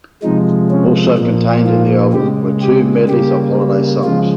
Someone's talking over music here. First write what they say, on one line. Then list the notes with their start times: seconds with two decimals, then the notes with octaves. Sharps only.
Also contained in the album were two medleys of holiday songs.
0.23 C3 F3 G#3 D#4
0.71 C#4
1.18 A#2 F3 A#3
1.67 F4
2.13 C#3 G#3 G4
2.62 G4
3.09 C#3 G3 A#3 G4
4.04 C#3 F3 G#3 F4